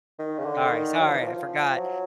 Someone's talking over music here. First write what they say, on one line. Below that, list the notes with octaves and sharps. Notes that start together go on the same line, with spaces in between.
Sorry, sorry, I forgot.
D#3
C#3
D3
D#3
F#3
F3
E3
F3
F#3